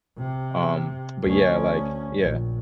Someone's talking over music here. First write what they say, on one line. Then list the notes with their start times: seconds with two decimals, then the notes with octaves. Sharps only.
Um, but, yeah, like Yeah.
0.18 C3
1.23 D2 C#4
2.20 A#1